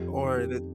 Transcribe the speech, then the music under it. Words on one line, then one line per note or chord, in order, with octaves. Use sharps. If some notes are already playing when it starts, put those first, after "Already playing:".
Or the
Already playing: F2 G4
D#3
G4